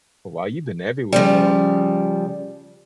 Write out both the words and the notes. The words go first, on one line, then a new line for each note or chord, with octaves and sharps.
But, wow, you've been everywhere though.
C#3 F3 G3